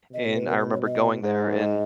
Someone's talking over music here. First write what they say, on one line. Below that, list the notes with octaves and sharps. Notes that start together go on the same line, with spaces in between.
and I remember going there, and,
B2 D#5
C#5
B4
A#4
B4
C#5
D#5
G#2
D#5